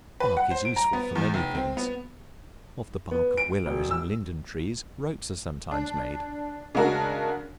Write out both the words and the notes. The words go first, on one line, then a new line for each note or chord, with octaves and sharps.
Bark is useful for many things: of the bark of willows and linden trees, ropes are sometimes made.
B4
F#5
C5
D7
A#5
B3
E2
F1
C4
B3
B3
D7
E1
E6
D4
C#3 G#3 D4 F#4 A#4